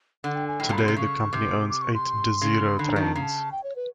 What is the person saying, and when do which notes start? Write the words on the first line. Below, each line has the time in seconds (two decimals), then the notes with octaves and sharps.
Today the company owns eight Desiro trains.
0.24 D3 F#5
0.35 G5
0.48 G#5
0.60 A2 G5
0.69 A#2
0.73 B2 B5
0.84 C3 C6
0.96 C#3 C#6
1.33 C3 D6
1.70 D6
1.81 C#6
1.94 C6
2.42 C#3
2.78 D3 B5
2.90 A#5
2.96 D#3
3.03 A5
3.13 C#3 A#5
3.22 A5
3.52 G5
3.64 C#5
3.76 B4